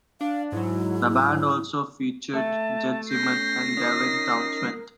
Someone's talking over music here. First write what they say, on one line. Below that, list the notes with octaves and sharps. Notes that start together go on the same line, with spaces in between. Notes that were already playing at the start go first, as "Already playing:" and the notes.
The band also featured Jed Simon and Devin Townsend.
D4 F5
G#2 F#3 E4
A3 E5 A5
C#4 G6 A#6 C7
C#4 D#4 A#4 D#6